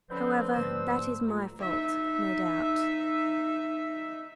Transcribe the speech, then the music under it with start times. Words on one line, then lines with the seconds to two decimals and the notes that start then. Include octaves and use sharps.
"However, that is my fault, no doubt."
0.10 D3 F3 C4 C#4 B4 B5 G6
0.54 G#2 D3 G3 A#3 C6 E6
1.28 A3 F4 A#5
1.60 D#4 E5